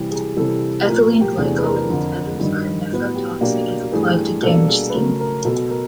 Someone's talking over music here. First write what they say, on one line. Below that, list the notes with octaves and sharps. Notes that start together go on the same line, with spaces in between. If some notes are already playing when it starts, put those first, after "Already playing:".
Ethylene Glycol and its ethers are nephrotoxic if applied to damaged skin.
Already playing: C3 E3 G3 G4
G#4
C3 E3 G3 A4
A#2 F3 A3 A#4
G4
E2 C3 E3 A3 D4 G#4
B4
A#4
F2 D3 F3
G2 D#3 G3
A2 F#3 B3
G4
B2 F#3 A#3 D4 G4
G2 E3 A3 G#4
G4
G#4
B2 G3 A#3 D4 A4
G#4
B4
C#3 F#3 A3 A#4
A#4
B2 F#3 B3 A4
A#4